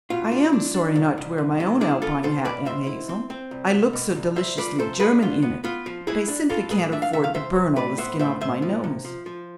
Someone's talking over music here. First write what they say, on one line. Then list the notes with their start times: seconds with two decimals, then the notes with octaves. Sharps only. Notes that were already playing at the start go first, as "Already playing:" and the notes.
'I am sorry not to wear my own Alpine hat, Aunt Hazel; I look so deliciously German in it, but I simply can't afford to burn all the skin off my nose.'
0.10 B2 F4
0.32 D4
0.53 D4
0.74 D4
0.96 C2
1.18 C2
1.38 C2
1.60 C3
1.81 D4 E4 G#4
2.02 B3 F4 A4
2.23 B2 A4 C5
2.45 B2 B4 D5
2.66 B2 C5 E5
2.87 E4
3.09 C4
3.30 C4
3.51 C2
3.72 C2
3.93 B2
4.15 C2
4.36 C2 C5 E5
4.57 F3 B4 D5
4.79 C3 A4 C5
5.00 C2 G#4 B4
5.22 D3 F4
5.42 B3
5.64 B3 F4
5.86 F3
6.07 E3 E4 G#4
6.28 D4
6.49 E3 F4 A4
6.70 A2 G#4 B4
6.92 D4 E5
7.02 F5
7.13 C3 E5
7.24 F5
7.34 C3 C5 E5
7.55 C3
7.76 A2 B4 D5
7.98 B3 C5 E5
8.19 A2 C5 E5
8.41 A2 C5 E5
8.62 F3
8.84 C3
9.05 F3
9.26 F3